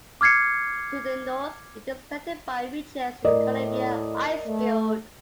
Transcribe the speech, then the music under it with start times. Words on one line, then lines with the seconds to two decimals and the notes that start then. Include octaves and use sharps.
To the north it is connected by ridges to the Columbia Icefield.
0.21 D6 F6 G#6 C7 C#7
3.25 A2 A#4 D5 D#5
4.46 A3